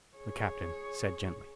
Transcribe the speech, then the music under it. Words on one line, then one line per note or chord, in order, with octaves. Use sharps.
The Captain said gently.
G#4 C#5